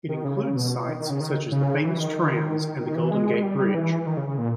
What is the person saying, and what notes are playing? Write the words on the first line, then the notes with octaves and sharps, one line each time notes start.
It includes sights such as the famous trams and the Golden Gate Bridge.
D#3
C#3
B2
D#3
D#3
C#3
D#3
C#3
E3
D#3
D#3
E3
G#3
G3
G3
E3
D#3
C#3
C#3
A#2